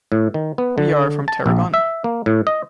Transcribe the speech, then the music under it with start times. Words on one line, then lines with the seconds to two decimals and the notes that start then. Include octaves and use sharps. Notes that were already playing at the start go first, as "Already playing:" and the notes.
We are from Tarragona.
0.12 A2
0.34 D#3
0.58 B3
0.78 D3
1.28 A5
1.46 A#1
1.74 E5
2.04 A#3
2.26 A2
2.47 D#5